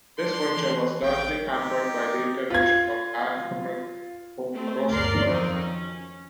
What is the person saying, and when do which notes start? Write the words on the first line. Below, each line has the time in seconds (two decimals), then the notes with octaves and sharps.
This venture was largely hampered by the intervention of Alfred Rosenberg.
0.17 D4 C6
0.57 E3
1.02 A1 G5
1.50 D#4 G4
2.50 F4 G#6
4.53 A3 C4
4.89 G1 D2 A#4 D5 C6 C7
5.24 F2 D#3 F3 F#3 C4 D#4
5.57 C#4